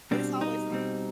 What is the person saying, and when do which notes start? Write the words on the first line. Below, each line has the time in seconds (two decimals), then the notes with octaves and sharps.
But it's always
0.11 B2 G3 C4 D4
0.41 D#4
0.70 B2 G3 C4